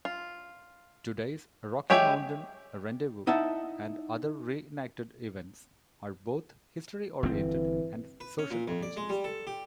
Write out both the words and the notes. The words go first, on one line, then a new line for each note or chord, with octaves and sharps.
Today's Rocky Mountain Rendezvous and other reenacted events are both history-oriented and social occasions.
F4
G#3 G4 C#5 E5 G5
D#4 E4 E5 F#5 A5
G1 G2 E3 C4
B4
C#4
A#2
F2
D5
G#3
G3
A4
G4